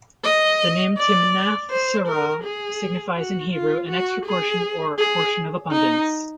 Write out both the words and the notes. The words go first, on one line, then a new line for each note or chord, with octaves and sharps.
The name "Timnath-serah" signifies in Hebrew an "extra portion" or "portion of abundance".
D#5
D5
C5
A#4
G#4
F#4
F4
F#4
G#4
G#4
D#4